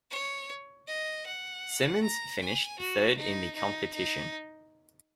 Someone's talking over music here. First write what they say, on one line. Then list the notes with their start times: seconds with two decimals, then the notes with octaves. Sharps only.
Simmons finished third in the competition.
0.11 C#5
0.87 D#5
1.26 F#5
2.03 A#5
2.41 G#5
2.79 F#4
3.17 D#4
3.55 D#4
3.94 D#4